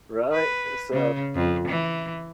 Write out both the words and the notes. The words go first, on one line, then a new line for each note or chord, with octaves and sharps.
right? So,
B4
C#3
F2
E3